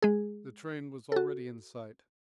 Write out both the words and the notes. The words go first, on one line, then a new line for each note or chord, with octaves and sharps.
The train was already in sight.
G#3 G#4
F#4 A4